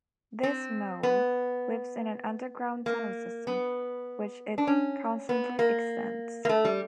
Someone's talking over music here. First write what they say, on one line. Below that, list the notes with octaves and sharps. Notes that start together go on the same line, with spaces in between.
This mole lives in an underground tunnel system, which it constantly extends.
C4
B3
A#3
B3
D4
C#4
B3
A#3
A#3
A3
G3